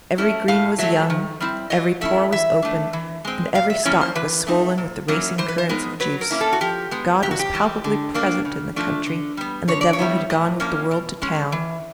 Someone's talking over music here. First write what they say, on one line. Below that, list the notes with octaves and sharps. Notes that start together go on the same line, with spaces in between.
Every green was young, every pore was open, and every stalk was swollen with racing currents of juice. God was palpably present in the country, and the devil had gone with the world to town.
A3 C#4 E4
A2 F5
F#3 A3 E5
D#3
G3 C4 E4
F#3 D#5
A3 C#4 E4 E5
E3 E5
A3 D4
E3
G#3 C4
A#2 F5
E5
F3 A#3 C#4 E4 C#5
C5
E3 B4
A3 C4 D#4
A#2
F#3 A#3 C#4 E4
E3 C5
B4
C5
G#3 B3 D#4 A#4
F#3 B4
A#4
A#3 C#4 E4
A4
F#4
F3 G4
G#3 B3
C3 G4
F#4
G4
E3 G3
D3
F#3 A#3 D4
C#3
F3 A3 D4
D3
G3 B3
D3 C#5
D5
C#5
G3 B3 E4
A2
F3 A#3 C#4
B2
G#3 C#4
E3